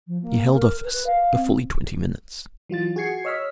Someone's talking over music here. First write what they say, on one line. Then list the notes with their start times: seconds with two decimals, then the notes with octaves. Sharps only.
He held office for fully twenty minutes.
0.07 F3
0.22 A#3
0.53 A#4
0.83 B4
1.06 F5
1.35 C4
2.69 E3 F#3 F4 A6
2.96 F#4 G#4 G#6 C7 C#7
3.25 C#5 D#5 E6 F6 B6